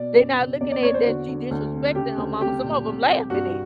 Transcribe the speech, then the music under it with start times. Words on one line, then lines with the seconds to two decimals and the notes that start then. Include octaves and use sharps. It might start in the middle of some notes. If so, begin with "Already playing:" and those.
They not looking at that she disrespecting her mama, some of 'em laughing at it,
Already playing: B2 D5
0.16 F#2
0.38 C#3
0.61 E2 D5
0.72 D5
0.83 E2 C#5
0.94 C5
1.06 D3 F#4
1.29 D3
1.51 D2
1.72 C3
1.95 C#3 G4
2.18 D2
2.40 C2 G4
2.63 A#2
2.85 C2
3.08 C2
3.30 G2 F#4